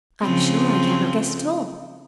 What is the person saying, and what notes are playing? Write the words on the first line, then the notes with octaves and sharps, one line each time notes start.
"I am sure I cannot guess at all."
C#3 F3 C4